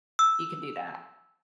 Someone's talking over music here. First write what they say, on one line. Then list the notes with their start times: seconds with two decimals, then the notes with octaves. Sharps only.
you can do that.
0.19 E6